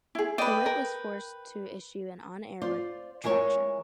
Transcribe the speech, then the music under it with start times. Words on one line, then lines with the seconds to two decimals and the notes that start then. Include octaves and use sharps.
Hewitt was forced to issue an on-air retraction.
0.15 E4 G#4
0.38 B4 D5 D#5 G5
0.66 A#4
2.62 F4 C5 D5
3.24 E3 G#3 A#4 C#5